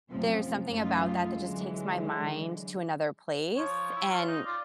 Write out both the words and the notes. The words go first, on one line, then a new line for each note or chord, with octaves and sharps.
there's something about that that just takes my mind to another place and
F#2 C3 F3 A3
F#2 A3 D#4 F4
D3 E3 F#3 G#3
F3 C#5
E4
F4
D#4
F4 D5